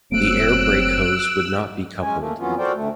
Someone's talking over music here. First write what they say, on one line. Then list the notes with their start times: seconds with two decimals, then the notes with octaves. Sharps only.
The air brake hose would not be coupled.
0.12 F#1 F#3 A3 A#3 C4 E6 F#6 D7
2.02 G#3 C#4 G#5
2.19 A3 A#3
2.39 F2 E3 F#3 B3 C#4 F4
2.58 F#4 A4 A#4 C5 D5 G5
2.74 D2 A2 A3